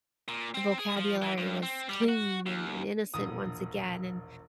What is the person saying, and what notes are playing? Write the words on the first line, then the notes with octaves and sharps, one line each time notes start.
the vocabulary was clean, and and innocent once again, and,
A#2
C4
G#4
F3
E3
G2
C4
G3
F#4
D#2
E1 A#1 D#6